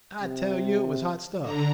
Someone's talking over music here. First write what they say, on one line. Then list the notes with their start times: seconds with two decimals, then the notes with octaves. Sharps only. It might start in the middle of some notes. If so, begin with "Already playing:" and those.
I tell you it was hot stuff.
0.22 C3
1.40 D3 A#5